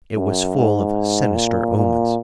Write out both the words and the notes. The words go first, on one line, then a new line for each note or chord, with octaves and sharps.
It was full of sinister omens.
F#2
G#2
A#2
A#2